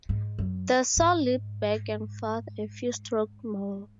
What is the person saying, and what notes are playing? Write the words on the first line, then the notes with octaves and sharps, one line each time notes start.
The saw leaped back and forth a few strokes more.
G#2
F#2
G#2